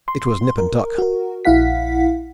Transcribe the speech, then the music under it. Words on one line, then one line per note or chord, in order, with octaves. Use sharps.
It was nip and tuck.
C6
A#4
F#4 A#4
A#1 E4 F5 F#5 B6